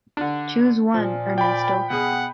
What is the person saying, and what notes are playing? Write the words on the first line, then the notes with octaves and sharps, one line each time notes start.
Choose one, Ernesto.
D3 D4
A#2 F3
D5 G5 B5
B2 G#4 F#5